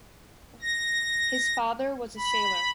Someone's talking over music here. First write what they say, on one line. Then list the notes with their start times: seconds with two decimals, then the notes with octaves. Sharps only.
His father was a sailor.
0.62 A#6
2.17 B5